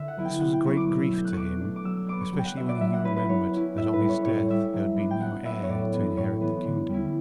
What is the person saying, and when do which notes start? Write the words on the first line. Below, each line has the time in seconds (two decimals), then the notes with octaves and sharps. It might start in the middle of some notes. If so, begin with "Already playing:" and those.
This was a great grief to him, especially when he remembered that on his death there would be no heir to inherit the kingdom.
Already playing: D3 E5
0.08 F#5
0.17 F#3 B3 E4
0.25 G5
0.40 D3 F#5
0.53 G5
0.64 F#3 B3 E4 C#6
0.77 D6
0.88 B2 D6
1.01 E6
1.13 A3 D4 G6
1.25 F#6
1.32 B2 C#6 D6
1.61 A3 D4
1.76 D6
1.84 F#3 E6
1.97 E6
2.08 B3 D4 D6
2.21 C#6
2.33 F#3
2.39 G5
2.45 F#5
2.57 B3 D4 E5
2.69 D5
2.81 F#3 E5
2.93 F#5
3.05 C#4 E4 B4
3.16 B4
3.28 F#3 C#5
3.54 C#4 E4
3.77 A2 E5
3.93 B4
4.01 G3 C#4 E4
4.09 C#5
4.25 A2 C#5
4.48 G3 C#4 E4 E5
4.73 F#3
4.96 B3 D4
5.11 G5
5.21 F#3 F#5
5.45 B3 D4 E5
5.63 C#5
5.69 A2 D5
5.93 E3 B3
6.17 A2 C#5
6.41 E3 B3
6.65 D3
6.89 G3 C#4 E4